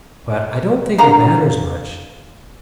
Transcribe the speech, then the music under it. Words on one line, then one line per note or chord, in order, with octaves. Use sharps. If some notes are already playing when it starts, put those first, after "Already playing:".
"But I don't think it matters much."
D3 A#3 A#5